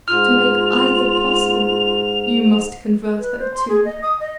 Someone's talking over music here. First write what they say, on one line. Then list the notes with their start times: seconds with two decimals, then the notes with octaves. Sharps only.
To make either possible, you must convert her, too.
0.08 G#2 F4 F6 F7
3.19 B4
3.39 C5
3.54 C6
3.68 G#4
3.85 D#5
4.02 D#6
4.20 D#5